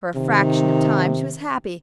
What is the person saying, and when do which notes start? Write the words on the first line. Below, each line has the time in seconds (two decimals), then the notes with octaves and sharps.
For a fraction of time she was happy.
0.15 C3 D#3